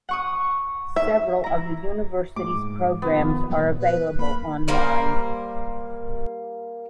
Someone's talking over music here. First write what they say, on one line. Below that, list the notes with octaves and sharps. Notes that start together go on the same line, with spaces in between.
Several of the university's programs are available online.
F#5 C#6 D#6
E5
E4 A#5
G#2 D6
C3 D#3 F3 B3
A#2 F#3 B3
B4
A#3 B5
G3 A#3 A#4 C5